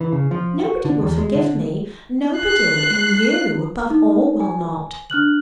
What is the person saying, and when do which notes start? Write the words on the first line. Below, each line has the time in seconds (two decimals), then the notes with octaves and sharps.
Nobody will forgive me, nobody! and you above all will not! . . .
0.01 E3
0.12 C#3
0.31 F3
0.60 F#4
0.85 D3
1.02 E2
1.19 G#3
1.35 D3
2.38 F#6 C7
3.90 D#4
4.40 G#5
5.10 D4 F6 F#6 F#7